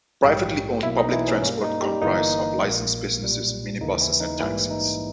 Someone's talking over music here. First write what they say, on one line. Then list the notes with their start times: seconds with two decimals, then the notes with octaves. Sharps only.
Privately owned public transport comprise of licenced buses, minibuses and taxis.
0.23 A#1 G#2 G3 G4 G5
0.83 B1 B2 A#3 E4 E5
0.98 D#4 D#5
1.13 E3 E4
1.28 C#4
1.42 G2 G3 A#3 C#4
1.63 D#4
1.82 G3 G4
2.02 G1 G2 E3 A#3 D#4
2.62 A#1 A#2 A#3
3.22 B1 A#2 G3
3.80 D#2 C#3 E3 A#3 D#4
4.01 E3 E4
4.20 D#4
4.40 A#1 G#2 E3 G3 A#3 E4
4.70 D#4